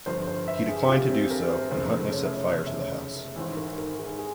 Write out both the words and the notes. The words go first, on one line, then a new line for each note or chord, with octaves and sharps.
He declined to do so, and Huntly set fire to the house.
G1 G2 F3 C5
C5
E5
G#4
G4
F4
C4
A#4
C5
A#4
F1 E2 C#3 F3 C5
C#5
E5
C#5
C#5
E5
C#5
G#1 G#2 E3 C5
A#4
A#4
G#4
A#4
G#4